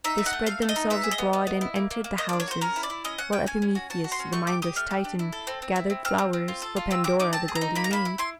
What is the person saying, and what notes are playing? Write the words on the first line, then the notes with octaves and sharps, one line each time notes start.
They spread themselves abroad and entered the houses, while Epimetheus, the mindless Titan, gathered flowers for Pandora, the Golden Maid.
D#4 E5
A3
F#5
A3
A3 F5
A3
D#5
D#4
B3 E5
G#4
D#5
B3
B3
B3
E4
A#3
A#3
A#3
A#3 D#5
D4 D5
C#5
F#4 C5
C#4 A#4
E4
D5
E4
C#4 D#5
C#4 F#5
C#4 G5
C#4 G#5
C#4
F#4
F#4 A5
F#4
C6
C#4
A3 C#6
G4 D6
G4 D#6
A3 F6
G4
D4
E4
A4
C4
C4
E4
C4
C4 F6
C4
C4
F4
A4
F4
C4 E6
C4 D6
D#4 D6
C4 A5
G#4
A#5
D#4
A#3 B5
A#5
A#3 B5
E4
E4 C6